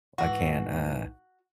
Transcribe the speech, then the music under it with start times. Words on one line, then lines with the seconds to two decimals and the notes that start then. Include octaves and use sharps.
I can't, uh,
0.18 G#2 E3 F#4